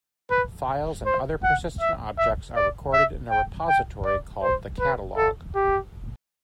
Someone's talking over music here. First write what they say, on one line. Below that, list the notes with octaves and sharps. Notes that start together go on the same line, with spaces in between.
Files and other persistent objects are recorded in a repository called the Catalogue.
B4
C5
F#5
E5
E5
D5
E5
G5
G5
D5
C5
B4
A4
G4